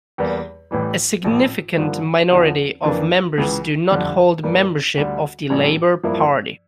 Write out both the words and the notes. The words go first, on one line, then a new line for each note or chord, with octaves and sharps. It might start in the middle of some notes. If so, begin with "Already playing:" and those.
A significant minority of members do not hold membership of the Labour Party.
E2 E3 G3 A#3
A1 A2 E3 G3
A#1 A2 F3
G2 D3 F3 A#3
E2 D3 F3
F2 E3 A#3 D4
C#2 C#3 E3
F2 D3 G3
G2 E3 G3 A#3
D2 D3 G3
A#1 A2 G3 C#4
G2 F3 A#3 E4